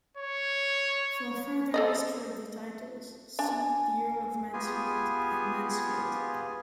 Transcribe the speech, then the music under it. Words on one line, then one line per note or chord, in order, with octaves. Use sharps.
For further history of the titles, see the Earl of Mansfield and Mansfield.
C#5
A4 D5 D#5
D4 G#5
B3 F4 G4 G#4 G#5